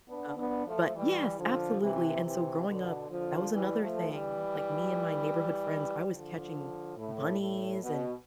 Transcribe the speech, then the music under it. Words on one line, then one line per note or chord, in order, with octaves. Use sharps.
uh, but yes, absolutely, and so growing up, that was another thing, like, me and my neighborhood friends I was catching bunnies and
B3 D4
B3 D4
F3 A3
E3 G3
D3 F3
C3 E3
C3 E3
B2 D3
D3 F3
E3 G3
F3 A3
E3 G3
D3 F3
A2
A2
B2